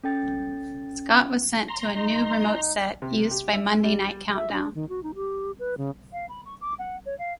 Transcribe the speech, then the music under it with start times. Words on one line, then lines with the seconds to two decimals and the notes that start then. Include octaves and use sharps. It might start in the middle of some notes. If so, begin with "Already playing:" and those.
Scott was sent to a new remote set used by "Monday Night Countdown".
0.04 C#4 A4 G5 A6
1.68 A#5 C6
1.95 D#4
3.02 C3
3.31 G4
3.53 E5
3.84 G3
4.36 E5
4.52 D4
4.75 D#3
4.89 F#4
5.03 D#4
5.15 G4
5.59 B4
5.78 C#3
6.12 F5
6.29 B5
6.45 C#6
6.61 D6
6.79 F#5
7.05 C#5
7.18 F5